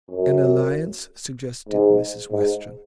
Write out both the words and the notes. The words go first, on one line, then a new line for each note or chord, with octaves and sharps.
"An alliance," suggested Mrs. Western.
F#2
G#2
G#2